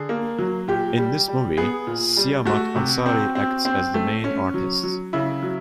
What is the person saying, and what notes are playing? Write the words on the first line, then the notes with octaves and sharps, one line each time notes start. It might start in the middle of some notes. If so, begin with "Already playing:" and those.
In this movie, Siamak Ansari acts as the main artist.
Already playing: D3 G#4
A#3
F#3
A#2 G4
G3
G3
B3 G#4
A#2
G3
A3 F#4
C3
C4
C4
C4
A3
C#4
F#3
F#3
C#3 E4
F#3